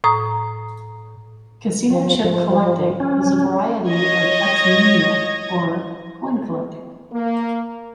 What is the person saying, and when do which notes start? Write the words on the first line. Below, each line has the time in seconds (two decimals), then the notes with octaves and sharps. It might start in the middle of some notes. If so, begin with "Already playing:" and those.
Casino chip collecting is a variety of exonumia, or coin collecting.
0.04 A2 A#5 D#6
1.90 F3
2.24 F3
3.00 C#4
3.89 C#5 D#5 G#6 A#6
7.13 A#3